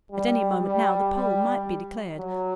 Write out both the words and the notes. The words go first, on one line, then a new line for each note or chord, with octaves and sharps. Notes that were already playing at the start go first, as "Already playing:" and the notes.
At any moment now the poll might be declared.
G3
G3
G3
F#3